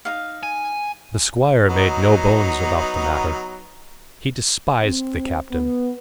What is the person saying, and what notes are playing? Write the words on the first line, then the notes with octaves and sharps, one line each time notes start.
The squire made no bones about the matter; he despised the captain.
D#4 F5
G#5
F#3 B3 D#4
C4
B3